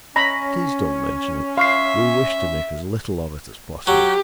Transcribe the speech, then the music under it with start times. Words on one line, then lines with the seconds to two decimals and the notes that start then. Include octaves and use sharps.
"Please don't mention it; we wish to make as little of it as possible."
0.16 C#4 A#5 B5 A#6 B6
1.58 E5 F5 C6 C#6 C7
3.87 F#3 G4